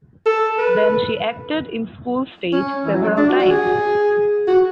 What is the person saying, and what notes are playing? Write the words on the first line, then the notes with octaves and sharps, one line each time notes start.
Then she acted in school stage several times.
A4
B4
C#4
E3
F#3
A3
D4
F#4
F#4
G#4
F#4